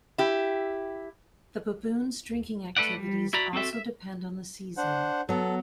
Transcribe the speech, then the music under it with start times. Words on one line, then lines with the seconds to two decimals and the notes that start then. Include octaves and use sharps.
The baboons' drinking activities also depend on the season.
0.18 E4 G4
2.77 A3 A4 B4 D5 F#5
2.97 G3
3.33 E4 F#4 D5 A#5 B5
3.53 C4 F#4 A4 E5
3.73 E5
4.77 D4 C5 F#5
5.29 F#3 B3 A4